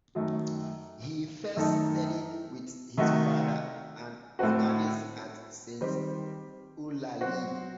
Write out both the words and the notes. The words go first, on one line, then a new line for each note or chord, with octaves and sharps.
He first studied with his father, an organist at Saint Eulalie.
F#2 D#3 F#3 A3
F#2 D#3 A3 D#4 A4
C3 D#3 A3 D#4 F#4
A2 A3 C4 F#4
D#3 G3 C4 G4
F#3 C4 F#4